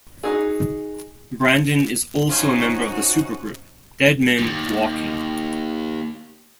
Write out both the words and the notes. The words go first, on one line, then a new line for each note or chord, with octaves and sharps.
Brandon is also a member of the supergroup, Dead Men Walking.
D#4 F#4 G#4
F3 C#4 D#4 F#4 C5
D#2 G#2